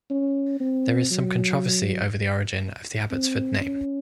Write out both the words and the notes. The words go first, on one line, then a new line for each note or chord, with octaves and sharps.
There is some controversy over the origin of the Abbotsford name.
C#4
C4
F#3
C4
C#4